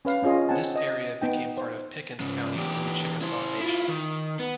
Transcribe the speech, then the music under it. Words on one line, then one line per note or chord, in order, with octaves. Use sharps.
This area became part of Pickens County in the Chickasaw Nation.
C#4 B4 F5
C4 C#4 F4 G#4 D#5
C4 D#5 F#5 G#5 A5
D#5
B3 D#4 G5
C5
G#2 C#3
E2 G4
E4 C5
E4 F4
D#3
B3